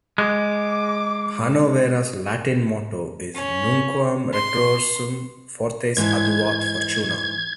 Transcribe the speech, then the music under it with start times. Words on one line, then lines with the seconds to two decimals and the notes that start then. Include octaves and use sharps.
Hannovera's Latin motto is Nunquam retrorsum, fortes adiuvat fortuna!
0.18 G#3 D6
3.35 C#4
4.33 C6
5.97 G#2 E3 A5 G#6